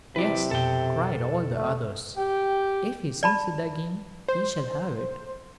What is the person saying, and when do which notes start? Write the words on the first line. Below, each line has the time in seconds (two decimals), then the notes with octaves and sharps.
"Yes," cried all the others, "if he sings it again, he shall have it."
0.16 C3 F#3 E4 B4 D5
0.51 F2 B2 A4 G5
1.56 A3
2.17 G4 G5
3.23 D5 A5 B5
4.28 C5